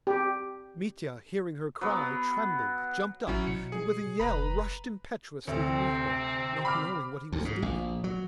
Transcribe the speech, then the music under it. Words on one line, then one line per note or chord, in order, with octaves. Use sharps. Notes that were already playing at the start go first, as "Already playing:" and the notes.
Mitya, hearing her cry, trembled, jumped up, and with a yell rushed impetuously to meet her, not knowing what he was doing.
G4
F#3 B3
A1 F#3 C#4 E4
B2 C#7
G#4
F1 B4 A#5 B5
D2 C3 C4
B5 D6 F6
D2
G#2
A#1
F#3